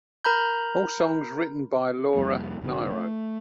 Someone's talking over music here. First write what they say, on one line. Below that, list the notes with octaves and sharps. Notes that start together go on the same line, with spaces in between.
All songs written by Laura Nyro.
A#4 A#5 B5 G6
C2 F2 G3 A#3
F1 G#2 B2 D3
A3